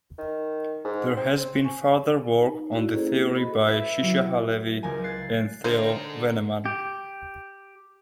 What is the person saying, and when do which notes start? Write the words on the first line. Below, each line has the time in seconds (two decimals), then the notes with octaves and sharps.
There has been further work on the theory by Shisha-Halevy and Theo Vennemann.
0.18 D#3
0.84 G#2
1.17 C4
1.64 G#5 C#6
1.85 D5
2.39 D#4
2.72 E4 F#4 A4 D5
2.94 A#3 C#4 E4 G#4 C5
3.35 F#4 A4 D#5 B5
3.68 E4 B4 E5
4.02 F#3
4.83 C#2 F3 A#4 G#5
5.04 F#6 G#6 A6 C7
5.64 G#2 D3 D#4 F4 A#4 C5 A#5
6.66 G4